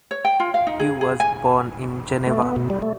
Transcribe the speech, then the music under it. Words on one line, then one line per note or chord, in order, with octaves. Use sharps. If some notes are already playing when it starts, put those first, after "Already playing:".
He was born in Geneva.
C#5
G5
F4
F5
D#4
G#4
G#4
G#5
A3
B3
B2
G3
A3